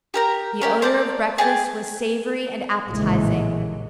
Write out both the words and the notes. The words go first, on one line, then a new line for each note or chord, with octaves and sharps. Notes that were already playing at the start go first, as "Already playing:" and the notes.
The odor of breakfast was savory and appetizing.
G4 A#4 A#5
C#4 G4 A#4
C5 D5 A5
G#4 G5 A5
A#1 D#2 A2 C#3 E3 G#3